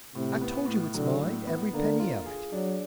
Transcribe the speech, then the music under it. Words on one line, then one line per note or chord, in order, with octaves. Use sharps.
"I've told you it's mine, every penny of it!"
A2 C3
B3
A2
D3 F#3
A2
B3
D3 A#3
F4
G#4
F#3 D4